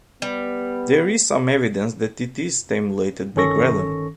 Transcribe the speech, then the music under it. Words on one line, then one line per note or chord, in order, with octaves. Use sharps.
There is some evidence that it is stimulated by ghrelin.
G3 B3
G1 D#3 C#4 A4 C#6 A#6